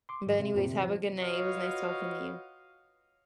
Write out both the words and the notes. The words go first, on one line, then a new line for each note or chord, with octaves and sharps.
But, anyways, have a good night, it was nice talking to you.
C6 D6
G#2 D#3 F#3
C3 E5
F#2 A#2 C4
C3 D#3
F3
F4 F#4 B4 C#5 D#5 F5